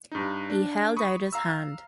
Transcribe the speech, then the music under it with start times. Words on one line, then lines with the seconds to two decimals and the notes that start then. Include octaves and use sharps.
He held out his hand.
0.11 G2 D#4
0.50 D4
0.97 B5 C#6 D#6
1.33 F5 A#5 E6